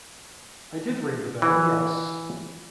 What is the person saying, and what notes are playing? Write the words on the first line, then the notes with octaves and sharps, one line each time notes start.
I did ring the bell, yes.
E3